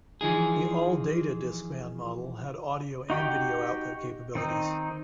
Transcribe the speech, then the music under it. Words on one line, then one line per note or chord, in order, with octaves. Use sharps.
The All Data Discman model had audio and video output capabilities.
E3 F3 D#4 G#4
D#4 F#4 G4 G5
D#3 C4 D#4